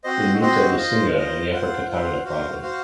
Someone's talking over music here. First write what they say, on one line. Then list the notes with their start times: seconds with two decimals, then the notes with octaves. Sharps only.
It meets at Lusinga in the Upper Katanga province.
0.04 C4 F#4 C5 D#5
0.40 C4 F#4 C5 D#5
0.77 F4 C5 D#5
1.14 F4 C5 D#5
1.52 F4 C5 F#5
1.88 F4 C5 F#5
2.25 F#4 C5 F5
2.62 F#4 C5 F5